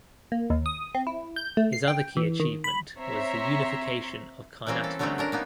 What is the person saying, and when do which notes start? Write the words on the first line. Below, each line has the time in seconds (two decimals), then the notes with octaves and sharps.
His other key achievement was the Unification of Karnataka.
0.32 A#3
0.50 D#2
0.66 D#6
0.95 C4
1.07 E4
1.36 G6
1.57 A3
1.73 C7
1.88 G5
2.17 E3
2.40 D#3
2.64 B5
2.98 C4 C#5 E5 A#5 C6
4.67 E3 G3 A#3 C4 C#4
4.84 A4
4.99 D3 F#3 G3 A3 C4 C#4
5.18 C#4 D4 A#4
5.32 A#3 B3 D#4